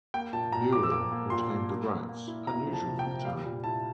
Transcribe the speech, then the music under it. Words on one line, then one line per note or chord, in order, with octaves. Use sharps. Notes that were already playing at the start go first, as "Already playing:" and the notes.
Buell retained the rights, unusual for the time.
A#3 G5
A#2 A5
A#2 A#5
F3 D6
E6
A#3 D6
A#3
A#2 C6
A#3
A#3
A#3
A#3
E4
E4 A#5
F3
A5
C3
G5
C3
G3 F5
A#2
E4 A5